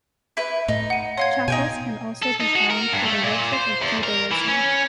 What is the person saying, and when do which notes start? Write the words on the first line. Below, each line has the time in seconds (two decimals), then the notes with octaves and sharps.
Chapels can also be found for the worship of Judaism.
0.37 E4 B4
0.68 A2 D#4 D#5
0.90 F#5 D#7
1.17 C#5 F5 C6 G#6
1.48 B2 D#4 G5 G#5 D#7
2.22 A4
2.40 D#4
2.55 F#4
2.70 A#4
2.93 G2
3.05 A3
3.23 A#2
3.53 C5
3.81 E2
4.03 A#4
4.31 E3
4.47 C#4